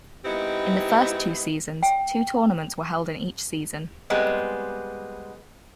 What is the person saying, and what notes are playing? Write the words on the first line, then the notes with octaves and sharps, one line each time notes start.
In the first two seasons, two tournaments were held in each season.
G#3 B3 C4 D#4 E4 G4
G5
G3 G#3 B3 C4